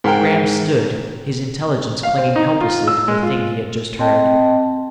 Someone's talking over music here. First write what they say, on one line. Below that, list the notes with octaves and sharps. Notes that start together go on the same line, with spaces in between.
Graham stood, his intelligence clinging helplessly to the thing he had just heard.
G#2 A#4 G5
F5
C4
D#4
F4
E6
G#3
F4
C4 D#5 G5 A5